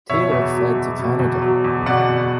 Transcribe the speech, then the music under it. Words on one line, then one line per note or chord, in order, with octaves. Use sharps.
Taylor fled to Canada.
B2 C#5 E5
E2
F#3
E2
B2
E2
F#3
E2
B2 D5 F#5
E2